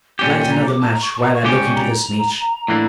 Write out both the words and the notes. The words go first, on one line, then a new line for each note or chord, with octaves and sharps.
Light another match while I look into this niche.
A#2 G3 C#4 G4 G5
A#5
D6
A5
A#5
C#6
C#6
A5
A#5
C#6
C#2 C#3 G3 C#4 G4 D6
C#6
C#6
A#5
A2 E3 A#3 D4